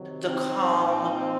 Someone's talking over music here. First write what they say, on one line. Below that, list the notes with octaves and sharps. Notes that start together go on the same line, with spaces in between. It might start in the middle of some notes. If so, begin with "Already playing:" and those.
the calm,
Already playing: C3 D#3 F#3
C4 D#4
A#2 F3